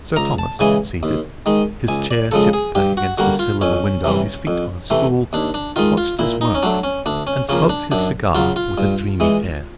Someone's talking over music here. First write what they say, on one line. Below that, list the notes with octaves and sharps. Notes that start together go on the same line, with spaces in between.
Sir Thomas, seated, his chair tipped back against the sill of a window, his feet on a stool, watched us work, and smoked his cigar with a dreamy air.
C#2 A#5
A5
C#3 E3 G#3 G#5
D#2
D#3 G#3
C#2 G#5
D5
C#3 F3 G#3 A4
G#4
G2 G4
F#4
D3 G3 A#3 F#4
F4
F2 C#4
C3 E3 G3
F2
C3 E3 A3
D#2 D4
D4
D#3 G#3 F4
F4
A#2 E4
D#4
C#4
F#3 A3 D4
C#4
D2 D4
C#4
C#3 F3 A#3 C#4
D4
F#2 D4
C#3 F#3 F4
F4
G2
E3 G#3